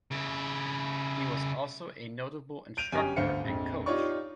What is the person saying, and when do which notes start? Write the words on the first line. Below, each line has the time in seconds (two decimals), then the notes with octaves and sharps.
He was also a notable instructor and coach.
0.11 C#3 E4
2.77 G6 D7 D#7 F7
2.92 G1 F#2 C#4 G4 G#5
3.16 G1 D2 C5 F5 C#7
3.44 A#1 F2
3.86 D#4 F4 G4 C#5 D5 C#6